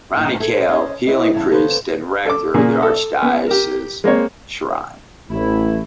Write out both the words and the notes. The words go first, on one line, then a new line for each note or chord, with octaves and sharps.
Ronnie Cao, Healing Priest and Rector of the Archdiocesan Shrine.
G2 A#2 D#3 D#4 E5
G#4 A4 E5
C#4 C5 D#5
E4 B4 C#5 D#5
E2 G2 C#3 A5
C#3 B3 A4 B4 C5
A4 D6
A#2 C#3 A#3 G#4
A4
B3
G4 A#4
G#3 A#3 C4 C#5
A1 A3 E4